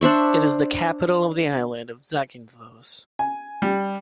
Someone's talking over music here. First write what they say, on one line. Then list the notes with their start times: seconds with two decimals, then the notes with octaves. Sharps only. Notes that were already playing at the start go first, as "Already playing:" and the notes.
It is the capital of the island of Zakynthos.
0.01 D4 C5 E5 C#6
3.19 G#5
3.62 G3